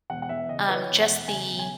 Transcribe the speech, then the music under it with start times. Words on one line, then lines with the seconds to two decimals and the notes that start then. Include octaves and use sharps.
um, just the,
0.10 E1 F#5
0.22 F#5
0.29 E2 E5
0.49 C#3 D#5
0.68 E3 B4
0.76 C#5
0.89 E1
1.02 F#5
1.09 E2
1.28 C#3 G#5
1.49 E1
1.59 G#5